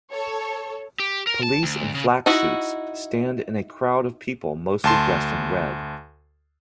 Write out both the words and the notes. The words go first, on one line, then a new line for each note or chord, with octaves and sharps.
Police in flack suits stand in a crowd of people mostly dressed in red.
A4 C#5
G4
A#4
A5
D2
C#3
D#4 E4 F#4
D2 A5 C6